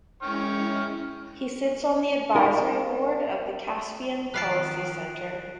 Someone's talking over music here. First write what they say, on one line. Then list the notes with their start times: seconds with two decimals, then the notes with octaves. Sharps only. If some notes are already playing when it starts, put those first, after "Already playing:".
He sits on the advisory board of the Caspian Policy Center.
0.22 G#3 C#4 E4 C#5 G5 F6
2.36 D#4 A#4 F5 C#6
4.34 D#3 F3 B4 F5 A5 F#6 C7 D7